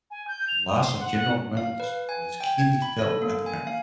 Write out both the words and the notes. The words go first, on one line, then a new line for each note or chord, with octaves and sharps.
The loss of General Reynolds was keenly felt by the army.
G#5
G6
F7
D#6
C6
F#5
F#5
F5
B4
G#5
G5
G#6
B5
A4
A#3
G#5
F5